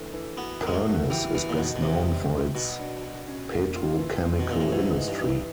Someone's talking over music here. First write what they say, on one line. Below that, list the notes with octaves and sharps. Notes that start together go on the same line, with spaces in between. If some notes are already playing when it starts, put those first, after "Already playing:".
Pernis is best known for its petrochemical industry.
Already playing: D3 E3 A3
E3
B3 F#4
G#3 A#4
A3
F#4
E3 G4
E3 B3
A#2
B2 D#4
B2
C3 B3
G3
D#4
B2 F#4
D4
F#4
C#4
A#3
F4
E3
C4
B2
A#2 E3
A2
G#2 E3
D#4
G2
E3